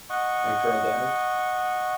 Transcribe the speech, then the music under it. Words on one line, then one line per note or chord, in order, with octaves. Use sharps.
Like, drug addicts,
D#5 F#5 C#6